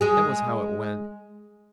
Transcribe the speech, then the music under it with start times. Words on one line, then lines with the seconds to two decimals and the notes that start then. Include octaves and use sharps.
That was how it went.
0.01 G#3 G#4